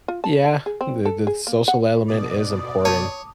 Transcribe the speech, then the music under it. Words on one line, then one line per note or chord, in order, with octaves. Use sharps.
yeah, the the social element is important.
F4
A5
A5
G#4
C4
A4
G#4
A#3
F#5
B2 D5 D6 D#6
C#5 A5